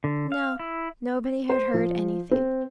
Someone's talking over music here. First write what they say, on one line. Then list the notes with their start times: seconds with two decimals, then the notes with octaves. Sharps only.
No, nobody had heard anything.
0.04 D3
0.32 F5
0.59 E4
1.49 C5
1.74 F3
2.31 C4